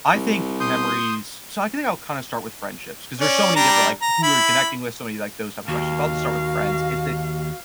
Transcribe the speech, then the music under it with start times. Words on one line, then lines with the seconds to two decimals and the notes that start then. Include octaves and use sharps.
I think memories so I think I'll, kinda, start with friendships, 'cause there's so many different, like, who you're connecting with, so many like those type of questions, but I'll just start with friends, is that
0.14 C2
0.60 C6 D#6 G6
3.20 C#4 D5
3.56 G3 D4 A#5
4.02 A#5
4.23 E4 B5
5.68 D#2 F#4 F5